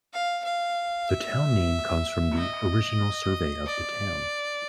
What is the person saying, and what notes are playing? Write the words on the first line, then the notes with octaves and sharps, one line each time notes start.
The town name comes from the original survey of the town.
F5
F5
E5
D#5
D5